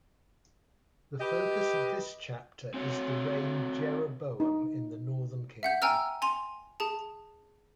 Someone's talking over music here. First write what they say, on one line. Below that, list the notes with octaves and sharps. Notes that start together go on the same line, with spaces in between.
The focus of this chapter is the reign Jeroboam in the northern kingdom.
G4 B4 D#5
C4 F#4 C#5
D#4
E5 F#5 G6
G5 G#5 A#5 E6 F6
G#5 C6 F7
G#4 A5